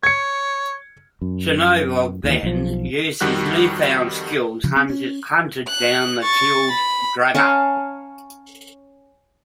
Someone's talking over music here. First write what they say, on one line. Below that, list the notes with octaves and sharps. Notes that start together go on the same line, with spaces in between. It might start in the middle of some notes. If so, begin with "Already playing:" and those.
Chernevog then, using his new-found skills, hunted down and killed Draga.
C#5 G#6 C#7
F#2
D#2 E3
B1 F3
F2 D#3 G3 F#4 F#6
C#3 F3
C4
C#4
F#6
C#6 A6
B5
C#4 F5 A5 A#5